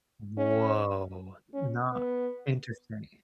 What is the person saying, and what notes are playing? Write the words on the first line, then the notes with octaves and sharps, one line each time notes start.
Woah. Not Interesting.
C#4
C#4
B3